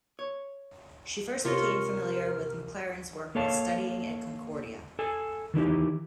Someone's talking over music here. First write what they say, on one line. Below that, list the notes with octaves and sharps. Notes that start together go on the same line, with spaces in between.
She first became familiar with McLaren's work while studying at Concordia.
C#5
C3 F4 A#4 C#5 D#5
A#3 A4 C#5 F5 A5
A4 G#5
D#3 E3 D#4 G4